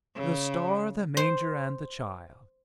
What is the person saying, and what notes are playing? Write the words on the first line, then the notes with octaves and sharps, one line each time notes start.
"The star, the manger, and the Child!"
C#3
C5